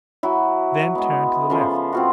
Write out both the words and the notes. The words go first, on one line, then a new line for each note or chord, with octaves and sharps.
Then turn to the left.
F#3 E4
G#3 B3
C#3 F3 A4
C4 F4 F#4